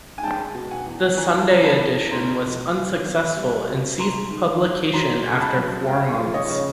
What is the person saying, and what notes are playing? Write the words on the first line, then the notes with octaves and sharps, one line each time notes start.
The Sunday edition was unsuccessful and ceased publication after four months.
G#5
G#3 G5 A5
B2
F#5 G#5
E2
F3 G#5 A#5
A5
C#3 A#5
A5 B5
E2
A3 A#5 C6
F3
A#2
B3
G3
B2
G#3 A#5 C6
D#3
F#2
F#3 A#5 C6
C#3
A5 B5
F#2
G#3 F5 G5
F3
C#5 D#5
C#3